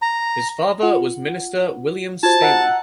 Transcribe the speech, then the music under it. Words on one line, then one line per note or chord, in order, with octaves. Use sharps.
His father was minister William Staley.
A#5
F4 F#5
F4 F#4 C5 A5 G#6
D#5 F#5 A#5 E6